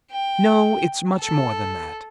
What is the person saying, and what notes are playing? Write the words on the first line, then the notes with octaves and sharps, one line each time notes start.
No, it's much more than that.
G5
A4